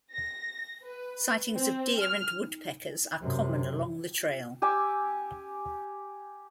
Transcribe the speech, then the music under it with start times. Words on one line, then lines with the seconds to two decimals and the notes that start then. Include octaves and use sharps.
Sightings of deer and woodpeckers are common along the trail.
0.14 A#6
0.85 B4
1.59 C4
2.02 F6
3.21 F#2 C3
4.62 G4 G#5 D6 E6